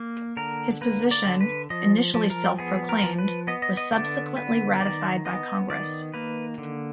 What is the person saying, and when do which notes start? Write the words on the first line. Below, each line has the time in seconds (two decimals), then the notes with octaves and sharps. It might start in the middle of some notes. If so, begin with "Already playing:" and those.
His position, initially self-proclaimed, was subsequently ratified by Congress.
Already playing: A#3
0.37 D3 A#4
0.81 A#3 B4
1.11 D5
1.26 D3
1.41 B4
1.70 F3 D#5
2.14 F3
2.30 A#4
2.59 B3 G#4
2.89 A#4
3.03 F3
3.19 B4
3.47 B3 D#5
3.62 D#5
3.77 D#5
3.92 D3 D5
4.36 B3 B4
4.80 D#3 D5
5.25 B3 D#5
5.70 D#3 D5
6.14 A#3 B4
6.58 D3